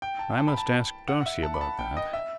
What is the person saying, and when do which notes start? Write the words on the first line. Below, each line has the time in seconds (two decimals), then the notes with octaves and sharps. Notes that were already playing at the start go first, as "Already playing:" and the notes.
I must ask Darcy about that.
0.02 G5
0.19 A5
0.37 A5
0.48 B5
0.57 A5
1.08 F#5
1.26 E5
1.43 A5
1.54 B5
1.61 A5
1.79 G5
1.97 D#5
2.13 E5